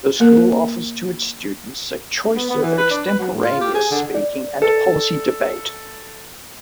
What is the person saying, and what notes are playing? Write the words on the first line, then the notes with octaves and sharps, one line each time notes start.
The school offers to its students a choice of Extemporaneous Speaking and Policy Debate.
A#3 A#4
B3
B3
E3
B4
D4
B4
F#3
A2
F4
G4
G#4
D3
D5
A4